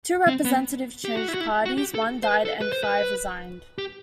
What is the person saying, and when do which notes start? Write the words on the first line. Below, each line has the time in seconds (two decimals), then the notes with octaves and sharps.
Two representatives changed parties, one died, and five resigned.
0.27 C4
0.45 B3
1.05 G4
1.17 F#4
1.28 E4
1.34 F#4
1.40 E4
1.65 F#4
1.78 G4
1.95 A4
2.23 C5
2.28 B4
2.45 A4
2.61 B4
2.72 C5
2.84 B4
3.78 G4